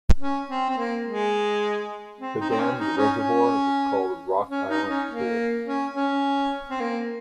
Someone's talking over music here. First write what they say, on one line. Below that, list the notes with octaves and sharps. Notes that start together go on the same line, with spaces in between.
The dam's reservoir is called Rock Island Pool.
C#4
C4
C4
A#3
G#3
C4
D#4
C4
C#4
D#4
C#4
C#4
C#4
D#4
C#4
A#3
C#4
C#4
C4
A#3